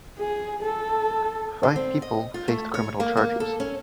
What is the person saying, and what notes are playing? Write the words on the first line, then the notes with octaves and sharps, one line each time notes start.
Five people faced criminal charges.
G#4
A4
D3
C4
D#5
F4
A3
C#5
A#3
A#3
A4
C#4